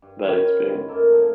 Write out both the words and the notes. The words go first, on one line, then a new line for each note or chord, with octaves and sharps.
that experience.
G2
D#3 C#4 C5 B5
F4
G#3 B4
F#2 A#3 A4 A#4
A2 F3 F5